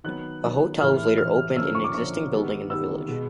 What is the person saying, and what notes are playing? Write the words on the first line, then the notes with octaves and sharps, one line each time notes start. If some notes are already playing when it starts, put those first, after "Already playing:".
A hotel was later opened in an existing building in the village.
D#3 F#3 B3 F#6
D#3 F#3 B3
A2 E3 A3 F6
A2 E3 A3 F6
D3 F3 A#3 C#4 E6
C#6
D6
D3 F3 A#3 C#4 C#6
D#3 G3 B3
D#3 G3 B3 E6
B2 G#3 B3